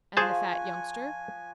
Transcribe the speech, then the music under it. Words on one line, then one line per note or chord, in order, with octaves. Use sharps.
"And the fat youngster?"
F3 G#4 C5 F#5 G#5 A5 C#6